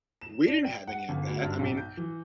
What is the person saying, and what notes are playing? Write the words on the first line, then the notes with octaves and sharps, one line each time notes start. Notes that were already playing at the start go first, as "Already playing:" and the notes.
We didn't have any of that. I mean,
E7
D4
G5
F#5
G1
D2
G2
B1
G6
E3